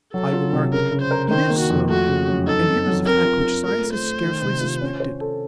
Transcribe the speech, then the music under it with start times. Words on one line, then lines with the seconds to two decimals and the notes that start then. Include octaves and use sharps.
I remarked: "It is so; and here is a fact which science has scarcely suspected."
0.14 F#3 A4
0.33 F4
0.53 C3
0.72 C#3 A#4
0.91 C#3
1.01 C5
1.11 A#4
1.30 D#3 C5
1.50 A#3
1.60 F#4
1.70 F2
1.89 A3 F#4
2.08 C#3
2.28 F#2
2.47 D#4 A4
2.66 C4
2.87 F#3
3.05 C4 A#4
3.25 F4
3.44 F4
3.64 A3 A#4
3.84 A3
3.93 C5
4.03 A3
4.23 D#3
4.42 C3
4.61 F4
4.81 C#4
5.00 C5
5.21 A4